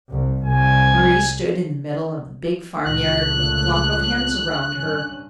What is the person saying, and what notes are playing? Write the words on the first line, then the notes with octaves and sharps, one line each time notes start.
Mari stood in the middle of the big farm-yard with a flock of hens around her.
C2
C2 G#5
C#2 A#2 A3 F#6
G2 C#4